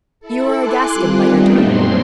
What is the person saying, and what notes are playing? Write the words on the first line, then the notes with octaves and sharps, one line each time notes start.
"You are a Gascon, by your tongue?"
E4 A4
G#5 C6 D6 F#6
G3 C4 F4
D#3 G3 A3 B3 D4 D#4
F#2 A#2 F#3 C4 C6